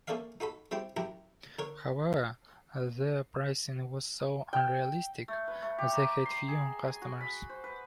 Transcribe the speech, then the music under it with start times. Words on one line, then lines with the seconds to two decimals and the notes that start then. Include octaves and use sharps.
However, their pricing was so unrealistic, they had few customers.
0.08 A#3 C#4 A4 D5 E5 F5
0.40 D#4 F#4 A4 B5
0.71 G3 C4 E4 G4
0.97 F#2 E4 G4 A#5
1.59 D3 A#4 C#5
4.53 G5
5.28 A3
5.48 B4
5.62 A3
5.78 G4
5.93 A#5
6.26 C6
6.48 G#4
6.88 G#5
7.02 F#4
7.21 B5
7.50 C5
7.64 B4